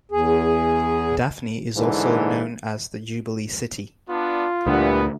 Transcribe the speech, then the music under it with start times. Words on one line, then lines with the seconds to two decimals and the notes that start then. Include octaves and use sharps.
Daphne is also known as the Jubilee City.
0.11 E2 G#4
1.77 G#2 D3 E3
4.10 B3 D4 F4
4.66 D2 A#2 D3 E3 G3 B3